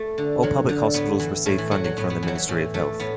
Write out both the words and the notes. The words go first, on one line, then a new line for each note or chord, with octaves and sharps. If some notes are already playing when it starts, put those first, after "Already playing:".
All public hospitals receive funding from the Ministry of Health.
Already playing: A3
D3
E2 F#3
D3
A2 B3
E3
A2 A3
E3
E3 F#3
F#3
A2 B3
B3
E3
F#3
E3
A2 E3
E3 A3
A2 B3